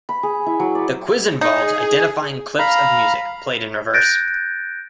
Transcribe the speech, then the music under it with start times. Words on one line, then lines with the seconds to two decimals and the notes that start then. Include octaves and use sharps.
The quiz involves identifying clips of music played in reverse.
0.09 B5
0.23 G#4
0.46 E4
0.60 F#3
0.75 D5
1.41 D#4 G#4
2.59 F5 A#5 B5
3.93 F#6 G6 A6 A#6 D7